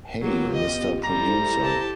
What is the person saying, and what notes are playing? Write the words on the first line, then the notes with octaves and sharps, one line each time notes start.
Hey, Mr. Producer!
F#3 A#3 B3 F4 G4
D#5
G3 E4 A4 C5 A#5
G4 A5